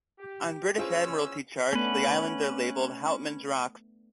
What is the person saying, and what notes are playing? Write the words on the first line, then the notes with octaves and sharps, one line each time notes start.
On British Admiralty charts, the islands are labelled "Houtman's Rocks".
G4
A2 C#4 F4 G#4 B4 C5 E6
A3 B3 C#4 D4 B4